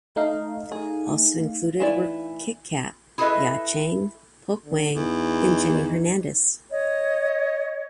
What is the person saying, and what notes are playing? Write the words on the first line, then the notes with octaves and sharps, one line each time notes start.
Also included were Kitkat, Ya Chang, Pokwang and Jenny Hernandez.
A3 D#4 F5
G#4
E3 E4 D5
E4 G#4 A4 B4 D#5 E5
D3
E2 D#4
C#5 D#5